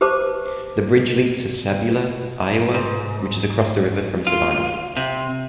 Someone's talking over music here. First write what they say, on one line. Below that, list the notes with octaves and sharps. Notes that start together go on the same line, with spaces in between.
The bridge leads to Sabula, Iowa, which is across the river from Savanna.
G4 B4 C5 A5 D6
G#2
F4
C3